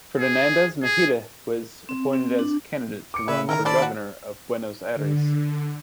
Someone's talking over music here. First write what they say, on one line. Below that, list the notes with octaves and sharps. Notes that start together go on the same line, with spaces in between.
Fernandez Meijide was appointed as candidate to run for Governor of Buenos Aires.
G#4
G#4
C4
C4
D4
D6 C#7
C#3 B4 C#5 E5
D#3 E4 A#4 C#5 A#5
C#4 A4 C5 D5 A5 B5
A#3 F#4
D3